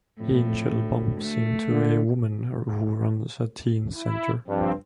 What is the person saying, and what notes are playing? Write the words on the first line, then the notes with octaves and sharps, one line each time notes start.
Angel bumps into a woman who runs a teen center.
F2 A2
D2
A3
D3
E4
G2 F3 C4